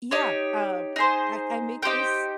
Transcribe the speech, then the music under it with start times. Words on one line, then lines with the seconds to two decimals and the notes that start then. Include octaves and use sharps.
Yeah, um, I I make this
0.11 D#4 G4 C#5
0.96 D#4 G#4 C5
1.82 D#4 G4 C5 G5